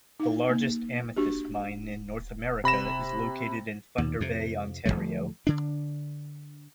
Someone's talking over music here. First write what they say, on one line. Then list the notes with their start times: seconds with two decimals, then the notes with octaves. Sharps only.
The largest amethyst mine in North America is located in Thunder Bay, Ontario.
0.20 D#4 F5
0.49 A#3
1.16 D4 F#4 G4
2.64 C3 B5 A#6 E7
3.98 D#2
4.21 F2 C3
4.86 D1 F#2 F3 A3
5.47 D3 D4